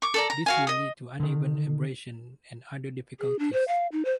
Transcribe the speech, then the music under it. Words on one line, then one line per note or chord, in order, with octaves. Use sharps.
This will lead to uneven abrasion and other difficulties.
C#6 D6
A4 D5 A#5
A#5
F#4 F5 G#5
D#5 D#6
D3 D#3
G#4
D4
C5
F5
D#4
C5